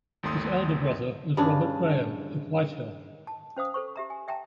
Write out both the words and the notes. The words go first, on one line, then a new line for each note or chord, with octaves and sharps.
His elder brother was Robert Grahame of Whitehill.
G#1 D#2 A3 C6 D#6 E6
G2 C#3 D4
A5
C#4 C5 F5 D#6
A4 C5 C#6
G4 E5 A#5
G#5
E5 G5 A5 A#5